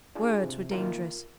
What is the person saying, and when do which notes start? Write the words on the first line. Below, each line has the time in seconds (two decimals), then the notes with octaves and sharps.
Words were dangerous.
0.15 D4 F4 G#4
0.44 C3
0.71 D#3 A#3 F4 A#4